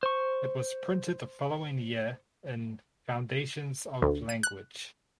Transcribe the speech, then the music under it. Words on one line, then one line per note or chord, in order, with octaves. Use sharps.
It was printed the following year in Foundations of Language.
C5 C#6
D2
D#7
F#6